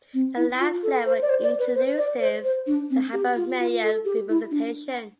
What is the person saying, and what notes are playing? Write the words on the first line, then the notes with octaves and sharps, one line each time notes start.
The last level introduces the hypermedia representation.
C4
E4
F4
A4
C5
D5
C5
D5
B4
C5
D5
C5
C5
D4
C4
G4
F4
F4
A4
G4
E4
D4